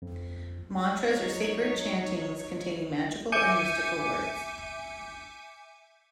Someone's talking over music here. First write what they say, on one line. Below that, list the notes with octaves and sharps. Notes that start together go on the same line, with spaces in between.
Mantras are sacred chantings containing magical and mystical words.
F2
F#3 D#4 C#5
E5 G#5 D6 G6 C#7 D#7